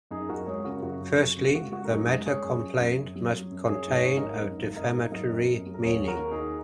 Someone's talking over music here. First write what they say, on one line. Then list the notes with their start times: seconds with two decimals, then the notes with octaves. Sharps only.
Firstly, the matter complained must contain a defamatory meaning.
0.11 F#2 D#4 G#4
0.28 F#2 F#4 A#4
0.46 G#3 G#4 C#5
0.64 C#3 F#4 A#4
0.83 F#2 F#4
1.01 F#2
1.18 F#2
1.36 C#3
1.55 G#3 F#4
1.72 G#3 F#4
1.85 A#4
1.90 F#2 D#4 G#4
2.08 G#3
2.26 G#3 G#4 C#5
2.44 F#2
2.62 F#2
2.79 F#2
2.97 F#2
3.16 F#3
3.33 F#3
3.51 F#2
3.69 F#2 G#4 C#5
3.87 G#1
3.92 G#4 C#5
4.04 G#1
4.17 A#4 D#5
4.22 G#1
4.40 F#2
4.58 G#1
4.76 G#1 A#4 D#5
4.94 G#1
5.12 F#3 A#4 D#5
5.30 F#2
5.48 F#2
5.66 F#3
5.74 A#4
5.83 D#2 G#4 C#5
6.02 D#2
6.07 F#4 A#4
6.19 D#2
6.31 D#4 G#4
6.38 A#3